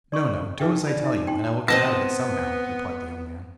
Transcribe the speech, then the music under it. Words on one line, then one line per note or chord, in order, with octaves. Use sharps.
'No, no; do as I tell you, and I will get out of it somehow,' replied the young man.
D5 C6 C#6
D#4 G#4 B4 E5 F5 G5
D5 B5
D#4 D5 E5
D#4 G5 C6
B3 C4 D#5 A5 A#6